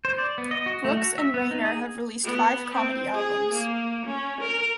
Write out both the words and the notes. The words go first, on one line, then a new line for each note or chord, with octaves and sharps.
Brooks and Reiner have released five comedy albums.
C5
D5
B3
D#5
F#4
A3
F#4
E5
B3
D#4
G#4
B3
C4
G#4
A#3
C#4
A#4